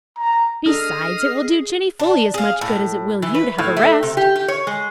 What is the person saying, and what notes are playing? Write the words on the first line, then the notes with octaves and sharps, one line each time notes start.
Besides, it will do Jinny fully as much good as it will you to have a rest.
A#5
D4 G#4 A4 D#5 F6
D4
G#4 F5
A2
E3
B4
A2
A3
C3
G4
G4
C#5
G#3